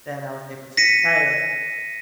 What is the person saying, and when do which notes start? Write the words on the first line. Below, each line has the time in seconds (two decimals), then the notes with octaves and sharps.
that I was able to retire,
0.77 A#6 B6 C#7 D#7